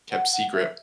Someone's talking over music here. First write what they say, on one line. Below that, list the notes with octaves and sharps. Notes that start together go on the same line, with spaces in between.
kept secret.
F#5
F#5
E5